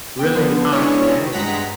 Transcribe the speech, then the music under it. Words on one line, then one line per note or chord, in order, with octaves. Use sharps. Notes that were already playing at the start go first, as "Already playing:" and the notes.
really hot today
B3 G5
D3 F3 B3
G#3 B3 C#4 D4 E4 C#5
D#3
G2 G#3 F#5 A#5 B6